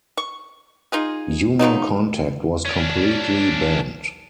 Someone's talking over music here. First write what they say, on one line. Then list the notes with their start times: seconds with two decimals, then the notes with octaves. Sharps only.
Human contact was completely banned.
0.17 C#6
0.92 D#4 F4 G#4
1.59 C#3 F3 F#3 D#4
2.66 C#4 D4